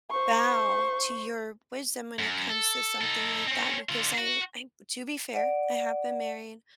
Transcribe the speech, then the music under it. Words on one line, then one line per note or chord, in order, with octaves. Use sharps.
bow to your wisdom when it comes to something like that because I I to be fair, I have been married
C5 C#6
F#2
A4
D#4 A4
C4 C#4
D3 F4
F#4
D5 F#5